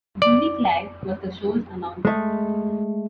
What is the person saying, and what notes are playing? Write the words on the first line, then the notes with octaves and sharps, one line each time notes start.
Julie Claire was the show's announcer.
D5
G#3 A3